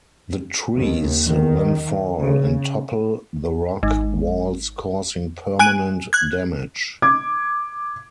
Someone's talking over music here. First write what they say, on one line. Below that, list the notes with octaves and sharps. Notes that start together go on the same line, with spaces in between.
The trees then fall and topple the rock walls causing permanent damage.
D#2
D#3
C#3
G#1
G#5 F#6 D7 D#7
F#6 G#6
D6 G#6